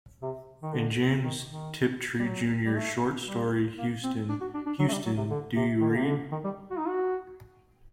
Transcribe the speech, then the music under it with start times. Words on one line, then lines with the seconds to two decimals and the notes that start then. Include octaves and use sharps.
In James Tiptree Junior's short story Houston, Houston, Do You Read?
0.22 C3
0.63 D#3
0.72 D3
1.24 D#3
1.48 D#3
2.19 G3
2.25 F#3
2.65 G3
2.76 A3
3.27 G3
3.78 A#3
4.03 C4
4.29 D4
4.41 F#4
4.54 D4
4.66 D4
4.79 F#3
4.88 A3
4.92 G3
5.05 F#3
5.17 C3
5.30 D3
5.56 C3
5.81 D#3
5.89 D3
5.97 C3
6.06 D3
6.32 D#3
6.44 G3
6.71 F#4
6.78 D#4
6.87 F#4